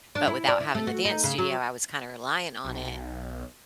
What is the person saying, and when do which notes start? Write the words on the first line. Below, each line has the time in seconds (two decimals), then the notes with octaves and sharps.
But without having the dance studio, I was kinda relying on it,
0.15 D4
0.27 E4
0.48 D5
0.60 E4
0.75 A3
0.87 F#4
1.05 D#4
1.24 C#3
1.38 F#3
2.65 B1